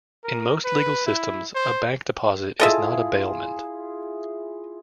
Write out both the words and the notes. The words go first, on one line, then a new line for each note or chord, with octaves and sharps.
In most legal systems, a bank deposit is not a bailment.
A#4
B4
E4
C5
E4 F4 G#4 A4 D#5 E5